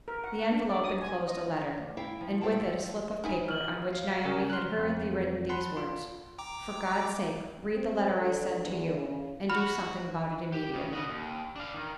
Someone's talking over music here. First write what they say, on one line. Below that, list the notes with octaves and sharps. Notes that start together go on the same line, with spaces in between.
The envelope inclosed a letter, and with it a slip of paper on which Naomi had hurriedly written these words: "For God's sake, read the letter I send to you, and do something about it immediately!"
A#4
F#5
F#5
D4
D5
D#6
G#5
D#5
D2
E4 F5 G5
F3
A4 C5 C#5 F5 G5 A5
D#4 E4 G#5
F6 F#7
F5
C#3 A#4 G#5
C6 F6 F#6
F2
F#5 A5 B5 C6
F4
G5 A#5 D6
C4
D3
E2
C#3
F#4 B5 F6
G4
C#3
F#4 D#5
D#2
D4 F5
D#3